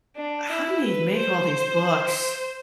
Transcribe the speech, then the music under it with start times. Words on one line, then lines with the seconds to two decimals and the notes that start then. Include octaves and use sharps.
How did he make all these books?
0.16 D4
0.50 E4
0.84 B4
1.19 C5